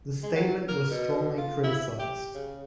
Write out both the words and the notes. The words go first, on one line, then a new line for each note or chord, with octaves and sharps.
The statement was strongly criticised.
G#3
F#3
A#4
B2
F4
E4
G4
C#3